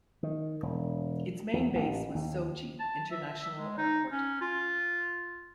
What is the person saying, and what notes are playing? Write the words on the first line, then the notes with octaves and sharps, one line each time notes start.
Its main base was Sochi International Airport.
D#3
E1
E2
A1
D#2
A5
E5
G#3
D#4
C#4
F4